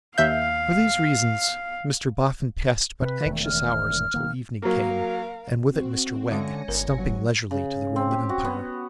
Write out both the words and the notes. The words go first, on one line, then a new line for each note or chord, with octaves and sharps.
For these reasons Mr Boffin passed but anxious hours until evening came, and with it Mr Wegg, stumping leisurely to the Roman Empire.
D#2 E5 F5 G6
C3 B4
E1 D#3 A3
F6
D#3 A#3
F#3 A#3 A#4 F5
C4 F#4
D3 G#3 C#4 F5 G#5 A#6 C#7
G1 A#4
F#3
C#3
C4
G4
F#4
B3